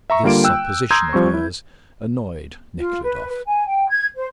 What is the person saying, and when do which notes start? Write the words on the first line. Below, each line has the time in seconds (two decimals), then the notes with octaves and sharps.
This supposition of hers annoyed Nekhludoff.
0.10 E5 A#5 C#6
0.23 D3 G3 A#3 F4 D7
0.44 G5 E6 F#6
0.91 A#5 C6 D#6 E6 G6 G#6
1.13 F3 G3 C4 C#6
1.34 E4
2.78 F4
3.03 B4
3.29 B4
3.45 G#5
3.67 G5
3.89 G#6
4.15 C5